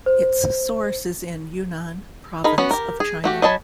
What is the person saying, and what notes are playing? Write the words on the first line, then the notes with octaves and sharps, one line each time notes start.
Its source is in Yunnan province of China.
C5
D#4 G#4 A#4 B5
B3 C#4 F#4
G4 A#4
G#4
A3 F#4 G4
F#3 D#5 G#5 A5 B5